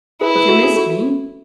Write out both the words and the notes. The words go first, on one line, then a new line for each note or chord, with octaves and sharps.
'Have you missed me?'
E4 G#4 B4
G#4 B4
F#4 A4
G#4
F#4 A4